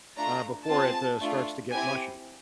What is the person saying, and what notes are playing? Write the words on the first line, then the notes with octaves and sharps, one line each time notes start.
uh, before it, uh, starts to get mushy.
A3 D4 F4 A#5
C4 F4 G#4 A5
A3 D4 F4
C4 E4 G4 G#5